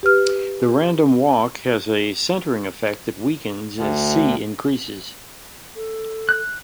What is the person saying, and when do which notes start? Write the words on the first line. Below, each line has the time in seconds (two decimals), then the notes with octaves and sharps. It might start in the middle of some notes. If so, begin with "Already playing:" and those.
The random walk has a centering effect that weakens as "c" increases.
0.03 G4 B4 F6
3.77 D2
5.75 A4
6.29 F#6